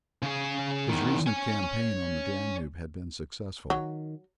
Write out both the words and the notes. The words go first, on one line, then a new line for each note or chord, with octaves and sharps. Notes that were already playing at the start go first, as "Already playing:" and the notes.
His recent campaign on the Danube had been successful.
C#3 G#4
E2 D#3
C#5 G#5
D#3 F#3